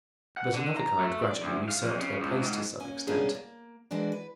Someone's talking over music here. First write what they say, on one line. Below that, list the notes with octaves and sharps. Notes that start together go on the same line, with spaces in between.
But another kind gradually usurped their place to some extent.
F#5
D3
A#5
A3
D5
D2
F5
F2
C#3
C#2
G#2
A#3 C#4 G#5
G3 A#3 B3 C#4 D4 G#4
A#3
E3 G#3 A#3 D4 F#4
B4